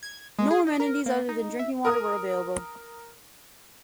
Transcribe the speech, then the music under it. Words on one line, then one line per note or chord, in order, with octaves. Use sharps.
No amenities other than drinking water were available.
G#6
G#3
G#4
D#5
A#4
A#3
D#4
E5
A#4 D#6